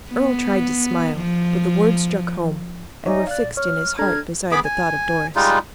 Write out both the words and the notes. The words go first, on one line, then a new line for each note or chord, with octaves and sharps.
Earle tried to smile, but the words struck home, and were fixed in his heart beside the thought of Doris.
B3
F3
D#4 C#5 D5 E5 G#5
D5 F5 F#6
A#1
C#5 F6
D4 A4 A#5 F6 G#6
B3 G#4 B5 D6
G#5
G3 G#3 D#4 F4